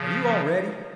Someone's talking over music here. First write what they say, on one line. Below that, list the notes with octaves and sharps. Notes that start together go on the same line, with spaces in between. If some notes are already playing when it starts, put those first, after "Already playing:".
Are you all ready?
Already playing: C#3 F3